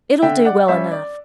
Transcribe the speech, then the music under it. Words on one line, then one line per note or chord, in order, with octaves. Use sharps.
'It'll do well enough.
D3 E5 G5
D5 F#5
G3 C#4 E5
D5